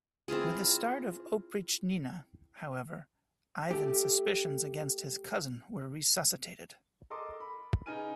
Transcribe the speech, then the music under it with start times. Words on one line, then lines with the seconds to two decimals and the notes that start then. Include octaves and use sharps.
With the start of Oprichnina, however, Ivan's suspicions against his cousin were resuscitated.
0.28 C4 E4 F4 G#4
3.71 A3 G4
7.10 A4 A#4 D#5 C6 D6 D#6
7.40 B5
7.86 C#3 D#4 B4 G#5 F6 D#7